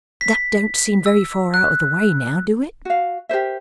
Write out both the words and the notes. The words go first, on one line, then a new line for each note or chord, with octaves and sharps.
That don't seem very far out of the way now, do it?'
B6
E6
F#6
F#4 F5
G4 A#4 C5 E5